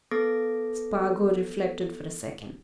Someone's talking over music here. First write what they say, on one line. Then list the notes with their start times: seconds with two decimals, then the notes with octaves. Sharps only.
Spargo reflected for a second.
0.11 B3 A4 D6 A#6